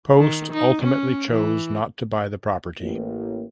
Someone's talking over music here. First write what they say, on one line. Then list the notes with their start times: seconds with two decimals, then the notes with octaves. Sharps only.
Post ultimately chose not to buy the property.
0.19 D#3
0.53 D#4
0.83 C#4
1.30 E3
2.80 A1 A#3